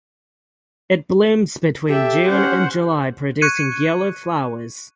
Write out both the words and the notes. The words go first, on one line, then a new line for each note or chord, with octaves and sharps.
It blooms between June and July producing yellow flowers.
G4 A4 E5
C#4 C5 F#5
C#6 F#6 G#6 C#7 D#7